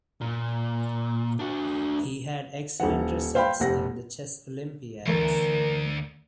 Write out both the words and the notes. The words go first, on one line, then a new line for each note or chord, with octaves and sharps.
He had excellent results in the Chess Olympiads.
A#2
D4 F#4
D#1 F#5
C5 F5 G5 B5
F1 C3 F#5 A#6
D2 E3 A3 A#4 A#5